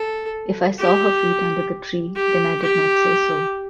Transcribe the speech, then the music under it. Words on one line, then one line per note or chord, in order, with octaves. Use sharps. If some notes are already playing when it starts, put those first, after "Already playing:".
If I saw her feet under the tree, then I did not say so.
Already playing: A4
G4
G4
G4